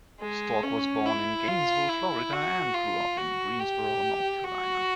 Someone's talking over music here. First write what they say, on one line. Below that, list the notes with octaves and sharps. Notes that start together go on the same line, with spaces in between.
Stork was born in Gainesville, Florida and grew up in Greensboro, North Carolina.
G#3
C#4
E4
F4
E4
F#4
F4
F#4
G4
F#4